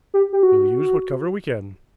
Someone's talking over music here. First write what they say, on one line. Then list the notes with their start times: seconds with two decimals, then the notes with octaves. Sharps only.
"We'll use what cover we can."
0.14 G4
0.33 G4
0.43 F#4